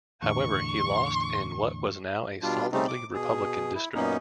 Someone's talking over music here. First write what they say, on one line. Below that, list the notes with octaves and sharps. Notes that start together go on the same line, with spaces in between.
However, he lost in what was now a solidly Republican district.
E2 A2 D3 C#6
B2 G3 D4 F4
C#3 G3 A3 C4 D#4
D6
B2 G#4
E4
F#2 A#2 A#3 B3 C#4 D#4